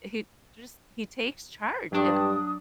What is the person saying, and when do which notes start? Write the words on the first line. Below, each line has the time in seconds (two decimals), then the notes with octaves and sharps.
he just he takes charge, and
1.93 G2 F#3 D4 D#6